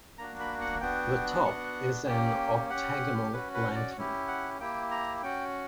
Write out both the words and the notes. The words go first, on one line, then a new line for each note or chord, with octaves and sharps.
The top is an octagonal lantern.
A#3 D4 F#4 A#5
B5
F#5
B3 D4 F#4 G5
B3 D4 F#4 F#5
A#3 C#4 G4 G5
C#4 G4 F#5
C#4 F#4 B4
B4
D5
C#4 E4 G4
F#5
A#3 E4 G4 G5
A#5
C#4 F#4 G5